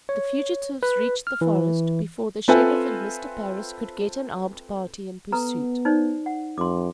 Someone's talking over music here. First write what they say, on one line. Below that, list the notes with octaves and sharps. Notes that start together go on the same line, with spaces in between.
The fugitives reached the forest before the sheriff and Mr. Parris could get an armed party in pursuit.
C#5
B4
F6
E3
C4 F4 A4 B4 E5 G#5
B3 A4 B4 A#5
D#4 C5 D5
F#5
F2 C6 D6